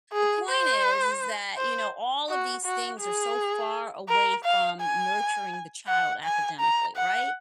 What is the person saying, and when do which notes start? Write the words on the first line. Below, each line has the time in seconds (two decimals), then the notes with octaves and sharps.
The point is, is that, you know, all of these things are so far away from nurturing the child academically, right?
0.13 G#4
0.49 C5
1.57 C5
2.29 F#4
2.65 F#4
3.01 G#4
4.09 A#4
4.44 F5
4.81 G#5
5.88 F#5
6.24 G#5
6.60 A#5
6.97 F#5